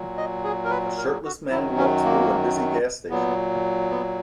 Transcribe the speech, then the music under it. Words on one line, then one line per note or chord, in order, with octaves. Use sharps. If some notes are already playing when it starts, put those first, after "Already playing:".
A shirtless man walks through a busy gas station.
Already playing: A#2 F#3
D#5
G#4
A#4
B4
A#4
F#4
F#2 D#3 F#3 E4
C#4
A#3
A#2 F#3 B3
B3